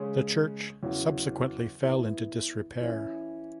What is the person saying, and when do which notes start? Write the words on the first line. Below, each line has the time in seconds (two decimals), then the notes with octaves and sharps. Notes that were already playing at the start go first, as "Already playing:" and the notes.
The church subsequently fell into disrepair.
Already playing: C#3 G#3 C#4
0.83 E2 C#3 F#3 E4
1.82 E3 B3 E4
2.80 E3 C#4 E4